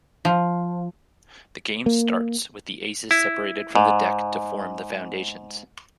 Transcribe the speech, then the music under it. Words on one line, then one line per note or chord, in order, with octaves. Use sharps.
The game starts with the aces separated from the deck to form the foundations.
F3
A#3
E4
G#2